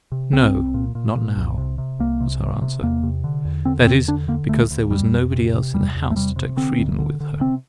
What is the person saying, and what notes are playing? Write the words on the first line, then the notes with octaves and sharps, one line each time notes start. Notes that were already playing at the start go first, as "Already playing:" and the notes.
"No, not now!" was her answer; that is, because there was nobody else in the house to take freedoms with her.
C3
C2 C4
C2
A#2
A#2
A#2
C2
C3
C3
C2 A#3
C3
C3
C3
E2 A#3
C3
D3
E2
D3 C4
E2 C4
D3 D4
D3 A#3
D2 A3
D2
F2 G3
F2
C3
C3
E2 G3
E2
A3
C3 G3
C3
D3 C4
D2
D3
D3
C3 C4